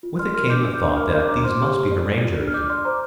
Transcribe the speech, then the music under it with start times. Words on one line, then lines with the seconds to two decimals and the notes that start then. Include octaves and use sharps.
With it came the thought that these must be the Rangers.
0.03 F4
0.19 D5 C6 F6
0.34 A#4 C6 F6
0.50 D4 D6 G6
0.66 D5
0.73 D6 G6
0.82 D4
0.97 A#4 C6 F6
1.12 A#4 D6 G6
1.28 D4 A#5 D6
1.44 C5 C6 F6
1.60 G4
1.76 G4
1.92 D5
2.07 D5
2.22 F4
2.37 D4
2.48 F6
2.54 D5 D6 G6
2.69 D5 C6 F6
2.85 C5 A#5 D6